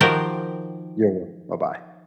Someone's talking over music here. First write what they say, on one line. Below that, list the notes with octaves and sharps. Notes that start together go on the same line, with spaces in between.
Yeah, yeah. Bye-bye.
D#3 F3 F#4 G4 A#4 C5